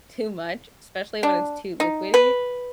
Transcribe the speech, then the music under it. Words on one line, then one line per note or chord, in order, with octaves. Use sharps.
too much, especially when it's too liquidy.
D4
D#4
B4